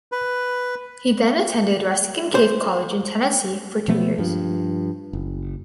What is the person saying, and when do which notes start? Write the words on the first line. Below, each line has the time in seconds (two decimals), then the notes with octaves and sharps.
He then attended Ruskin Cave College in Tennessee for two years.
0.12 B4
2.35 C5
3.88 B2 F3 A3 B3
4.18 G2 F3
5.13 F#1